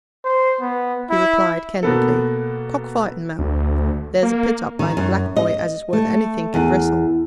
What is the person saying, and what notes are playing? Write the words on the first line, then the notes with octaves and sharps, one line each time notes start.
He replied candidly, 'Cock-fightin', ma'am; there's a pit up by the "Black Boy" as is worth anythink in Brissel.'
C5
B3
E4
B2 A#3 B3 A4
D2
A#3
D#3
F#2
D#5
A3
E2